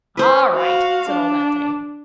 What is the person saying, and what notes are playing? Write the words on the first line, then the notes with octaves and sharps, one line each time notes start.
"All right," said old Anthony.
B4 C5
F#4 F5
D4